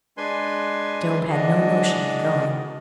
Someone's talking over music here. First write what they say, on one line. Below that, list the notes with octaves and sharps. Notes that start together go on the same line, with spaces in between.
But Job had no notion of going.
G#3 D4 B4 G#5 C6
E3 G#3 D4 F#4 D#5